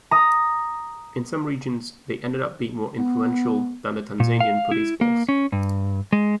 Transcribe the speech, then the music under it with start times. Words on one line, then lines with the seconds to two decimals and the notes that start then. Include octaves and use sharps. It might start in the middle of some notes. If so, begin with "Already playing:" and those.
In some regions they ended up being more influential than the Tanzanian Police Force.
0.11 A#5 D#6
2.99 B3
4.20 A#2
4.40 F5
4.71 E4
5.01 A#3
5.29 C#4
5.52 G2
6.13 G#3